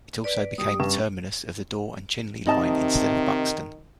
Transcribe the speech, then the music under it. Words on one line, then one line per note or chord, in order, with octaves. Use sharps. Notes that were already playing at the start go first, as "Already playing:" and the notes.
It also became the terminus of the Dore and Chinley line instead of Buxton.
B4 D5
G3 D#6
G2 C#4
C3 D#3 D#4 D#5 A5